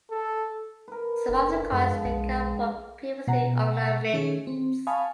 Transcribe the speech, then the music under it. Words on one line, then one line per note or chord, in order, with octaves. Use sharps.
Some of the coins may come from previously unknown mints.
A4
A#4 B4
F#1 D3
F#2 F3 G#3
B1
B2 F#5 A#5
D#3 C#4 G#4
C4
F5 G#5 A5 B5 C#6 D#6